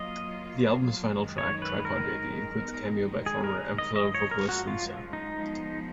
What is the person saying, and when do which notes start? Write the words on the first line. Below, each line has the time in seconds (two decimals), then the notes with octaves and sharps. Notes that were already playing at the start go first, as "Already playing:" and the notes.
The album's final track, "Tripod Baby", included a cameo by former M-Flo vocalist Lisa.
Already playing: F#3 A#3 F4 D#5
1.15 F#2 D#3 G#3
1.38 C#5
1.62 B4
1.85 A#4
2.56 D#3 G#3 B3 D#4
3.26 G#4
3.44 A#4
3.78 D#5
3.96 F#2 F3 G#3 D#5
4.15 C#5
4.31 A#4
4.49 F#4
4.67 F4
5.13 D#4
5.37 F3 G#3 B3